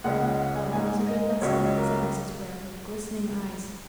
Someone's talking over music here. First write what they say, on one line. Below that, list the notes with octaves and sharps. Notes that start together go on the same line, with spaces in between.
"Well, it was a good lesson," said Mrs. Ware, with glistening eyes.
C#2 C#3 G#3 F#5
F#5
F#5
G#5
G#2 G#3 G#5
D#5
C#2 C#3 F#3 C#5
A#4